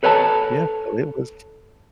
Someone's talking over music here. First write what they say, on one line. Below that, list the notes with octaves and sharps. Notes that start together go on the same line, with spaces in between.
Yeah, so it was
A4 B4 C#5 F#5 A5